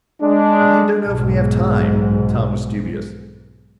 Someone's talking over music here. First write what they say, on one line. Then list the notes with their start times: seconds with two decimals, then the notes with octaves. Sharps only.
"I don't know if we have time." Tom was dubious.
0.21 G#3 D4
1.06 B1 G#2